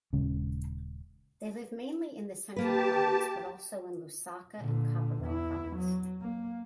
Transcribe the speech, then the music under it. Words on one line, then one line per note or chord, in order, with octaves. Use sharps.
They live mainly in the Central province but also in Lusaka and Copperbelt province.
D#1 C#3 G#3 C#4
A#3 G4 B4 A5
A#2 D3
E2 E4
F#3
A#3